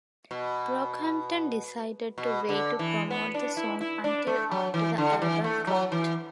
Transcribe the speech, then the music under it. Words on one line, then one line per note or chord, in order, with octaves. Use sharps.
Brockhampton decided to wait to promote the song until after the album dropped.
B2
B2
D3
E3
B3
D4
E4
E4
D4
A3
F#3
E3
D3
E3
A3
F#3
E3